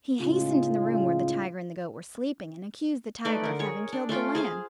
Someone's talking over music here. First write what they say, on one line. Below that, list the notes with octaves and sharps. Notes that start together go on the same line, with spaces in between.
He hastened to the room where the tiger and the goat were sleeping and accused the tiger of having killed the lamb.
A2 C#3 G#3 C#4 D#4 F4
A3 D#4 B4 D5
D3 A#4
G#4 C#5
D4
A3 C#4 F4 G5
G#4 C5 F5